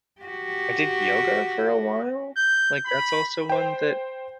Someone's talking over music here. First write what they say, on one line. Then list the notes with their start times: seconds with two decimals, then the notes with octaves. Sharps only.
I did yoga for a while. Like, that's also one that
0.22 F#4 G4
2.37 G6
2.86 B5
3.50 C5 G5